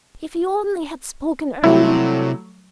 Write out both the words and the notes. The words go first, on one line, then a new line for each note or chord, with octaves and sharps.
If he only had spoken earlier!
C3 F#3 G3 A3 E4